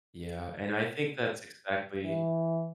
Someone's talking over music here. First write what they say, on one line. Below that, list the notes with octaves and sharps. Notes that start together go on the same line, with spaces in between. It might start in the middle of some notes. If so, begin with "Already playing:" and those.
Yeah, and I think that's exactly
E3